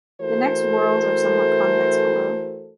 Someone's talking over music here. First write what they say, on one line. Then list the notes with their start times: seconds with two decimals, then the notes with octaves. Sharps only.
The next whorls are somewhat convex below.
0.21 E3 A3 F#4 A4 A#4 C5